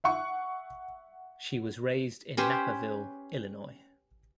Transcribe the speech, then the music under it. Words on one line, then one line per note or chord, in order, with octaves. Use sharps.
She was raised in Naperville, Illinois.
E5 F#5 C#6
C#4 G4 B4 C5